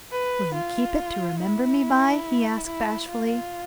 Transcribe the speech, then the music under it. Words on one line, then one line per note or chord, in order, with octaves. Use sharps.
"Will you keep it to remember me by?" he asked, bashfully.
B4
F4
E4
E4
F4